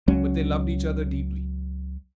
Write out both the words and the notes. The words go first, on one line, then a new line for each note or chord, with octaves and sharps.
But they loved each other deeply.
C#2 F#3 C#4